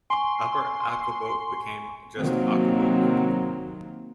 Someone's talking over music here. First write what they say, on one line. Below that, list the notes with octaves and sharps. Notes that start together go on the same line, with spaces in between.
Upper Aquebogue became just Aquebogue.
G#5 C6 C#6
C3 D#3 F#3 A#3 C4